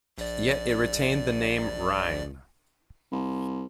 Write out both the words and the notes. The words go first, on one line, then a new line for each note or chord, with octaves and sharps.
Yet it retained the name "Rhine".
A#1 D5
C2